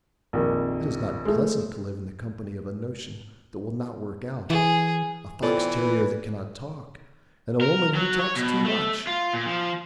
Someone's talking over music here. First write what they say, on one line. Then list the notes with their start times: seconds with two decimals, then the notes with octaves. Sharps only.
It is not pleasant to live in the company of a notion that will not work out, a fox-terrier that cannot talk, and a woman who talks too much.
0.33 A#1 F2 D#3
1.25 G#3 A3
4.50 E3 G#4
5.43 E3 B3 C4 F4 A4 D5
5.78 B4
7.61 A#4
7.95 F#3
8.20 C#5
8.36 B2
8.65 A3
9.07 F4
9.33 A#2
9.46 F3